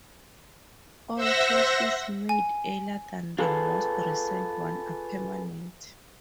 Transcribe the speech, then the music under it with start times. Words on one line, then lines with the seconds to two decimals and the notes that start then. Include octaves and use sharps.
All choices made earlier than the most recent one are permanent.
1.15 C5 E5 F#5 E6 A#6
2.29 G#5
3.39 F4 G#4 A4 B4